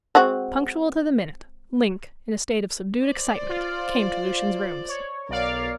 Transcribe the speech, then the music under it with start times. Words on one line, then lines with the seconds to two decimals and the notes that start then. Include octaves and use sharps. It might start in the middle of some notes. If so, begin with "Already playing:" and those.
Punctual to the minute, Link, in a state of subdued excitement, came to Lucian's rooms.
0.15 G#3 C4 F#4
3.02 C5 D5
3.49 F4
4.88 C#5
5.29 B1 A#4 C#5 D5 F5